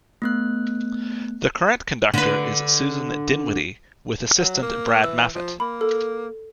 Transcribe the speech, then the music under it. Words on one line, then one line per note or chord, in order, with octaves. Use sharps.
The current conductor is Susan Dinwiddie, with assistant Brad Maffett.
A3 B3 F#6
D3 B4
F#3
A#3
E3 E6
F3
A#3 B5
A4